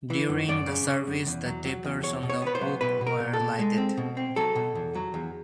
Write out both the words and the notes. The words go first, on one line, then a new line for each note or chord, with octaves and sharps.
During the service the tapers on the oak were lighted.
E3
F#2
F#2 D5
C#3
C#3
F#2
E2
F#3
F#3
E2
E2 C#5
B2
C#5
B3 B4
C5
F#3
B2 B4
B2
A#4
B2
A4
B2
G#3
C4
B2
C4
F#3 A4
B2
E2
F#3
E2